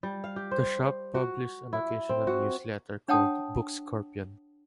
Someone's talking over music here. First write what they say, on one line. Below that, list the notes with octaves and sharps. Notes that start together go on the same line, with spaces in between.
The shop published an occasional newsletter called "Book Scorpion".
G3
F5
G4
C5
F#4
E4
C4
F#4
D4 C#5 F#5 G5 A5 D#6